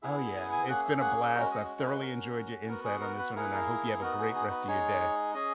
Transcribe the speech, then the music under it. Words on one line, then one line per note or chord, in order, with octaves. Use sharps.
Oh, yeah. It's been a blast. I've thoroughly enjoyed your insight on this one, and I hope you have a great rest of your day.
B3 E4 G#4 E5
G#5
G#5
A#3 C#4 G#4 F#5
E5
F#5
G#3 C#4 F#4 A#4
D#5
A#4
B4
C#4 F#4 A#4
B3 F#4 A#4
G#4
A#4
B4
A#3 E4 G#4 A#4
B4
A#4
B3 D#4 F#4 A#4
G#4
G#4
B4
G#3 D#4 G#4 C#5
C#4 G#4 D#5